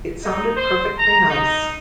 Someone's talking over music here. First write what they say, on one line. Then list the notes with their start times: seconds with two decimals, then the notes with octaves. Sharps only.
It sounded perfectly nice.
0.23 D#4
0.55 C5
0.98 A#5
1.29 D#4